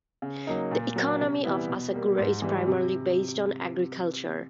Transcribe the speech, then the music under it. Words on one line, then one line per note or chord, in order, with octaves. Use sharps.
The economy of Asakura is primarily based on agriculture.
C#3
F#3 A#3 D#4
A#2
F#3 A#3
C3
E3 G3 B3 E4
B2
G3 A#3
G#2
E3 G3
C3